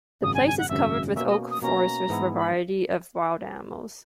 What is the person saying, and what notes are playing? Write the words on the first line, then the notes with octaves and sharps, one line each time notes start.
The place is covered with Oak forests with variety of wild animals.
G#1 F#2 C#3 D#6
G#5
G#5
F#5
G#1 F#2 C#3 E5
B2 A#3 C#4 E5
D#5
D#6
B2 A#3 C#4 A#5
G#2 E3 B3 E4
B5